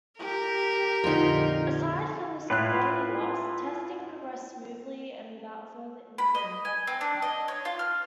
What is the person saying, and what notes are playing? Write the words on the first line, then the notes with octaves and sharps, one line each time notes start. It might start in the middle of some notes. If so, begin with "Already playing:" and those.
Aside from this early loss, testing progressed smoothly and without further incident.
G4 A#4
F2 A#2 D3 D#4 F4
A2 E4 F4 B4 F#6
B5
D#5
G#5
C4
D4
D#5
C#5
F4
F6